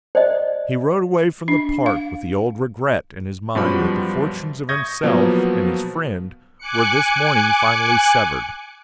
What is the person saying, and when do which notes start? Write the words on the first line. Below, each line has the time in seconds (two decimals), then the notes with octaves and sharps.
He rode away from the park with the old regret in his mind that the fortunes of himself and his friend were this morning finally severed.
0.15 C5 D5 D#5
1.48 D4
1.86 F5
3.55 F#2 B2 F3 G3 F#4 B5
4.69 C#6 D#6 G6 G#6 A#6
5.03 B2 F3 F#3 A#3 B3
6.58 G#5 D6 F#6 C#7